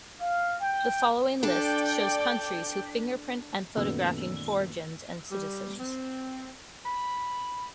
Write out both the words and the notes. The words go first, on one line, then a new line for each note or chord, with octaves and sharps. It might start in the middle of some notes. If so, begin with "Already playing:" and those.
The following list shows countries who fingerprint and photographing foregins and citizens.
F5
G5
D4 A4 D5 G5
F#2 A#2 D#3 A3 B3 E6
G3
C4
B5